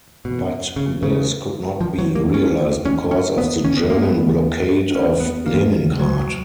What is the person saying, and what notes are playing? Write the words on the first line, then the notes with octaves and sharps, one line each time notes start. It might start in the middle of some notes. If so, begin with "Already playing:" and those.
But this could not be realized because of the German blockade of Leningrad.
B2
C#3
C#3
F3
F#3
A#3
C#4
C#4
C#4
B3
C#4
B3
A#3
B3
C#4
B3
A#3
F#3